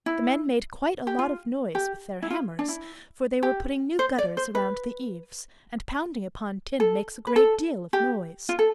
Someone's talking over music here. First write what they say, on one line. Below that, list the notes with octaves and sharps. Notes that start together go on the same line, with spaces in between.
The men made quite a lot of noise with their hammers, for they were putting new gutters around the eaves, and pounding upon tin makes a great deal of noise.
E4
G4
F4
G4
E4
F4
D4
E4
G4
C5
D5
C5
B4
A4
B4
A4
G4
F4
A4